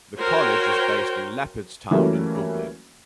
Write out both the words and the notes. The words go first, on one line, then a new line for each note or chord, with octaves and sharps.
The College is based in Leopardstown in Dublin.
F#4 A#4 C5 C#5 G5
E3 F#3 G3 A3 A#3 C#4